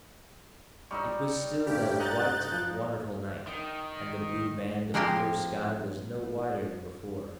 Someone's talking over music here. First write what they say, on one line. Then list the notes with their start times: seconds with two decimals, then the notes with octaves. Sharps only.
It was still that white and wonderful night, and the blue band of clear sky was no wider than before.
0.91 G3 D#4 C5 C#6 E6
1.67 G2 A3 G4
1.99 D#5 F#5 A#5 F#6 G6 A6
2.52 F3
3.47 D#3
4.94 F3 G#3 A#3 C4 G4